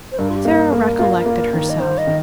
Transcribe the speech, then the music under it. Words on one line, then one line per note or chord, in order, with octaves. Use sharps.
Sara recollected herself.
C5
G2 A#4
F4
G4
A#3
A#4
A#3
F4
A#3
D#3
D#5
D#3 C5
D#5
D#3